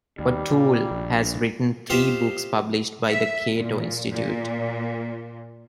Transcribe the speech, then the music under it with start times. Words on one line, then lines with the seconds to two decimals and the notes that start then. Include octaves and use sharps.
O'Toole has written three books published by the Cato Institute.
0.19 D#2 G3
0.50 A#2
0.91 A#1
1.90 F4 G4 C5 D#5 E5
3.09 E5
3.56 A#2
4.10 A#2